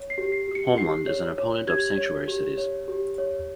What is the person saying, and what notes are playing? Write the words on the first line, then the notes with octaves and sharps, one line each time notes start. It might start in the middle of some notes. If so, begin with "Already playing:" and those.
Holmlund is an opponent of Sanctuary cities.
Already playing: C#5
C7
G4
C7
G4
C#7
G4 C7
C#5
C#5
G4 G#6
C#5
G4
C#5
G4
C#5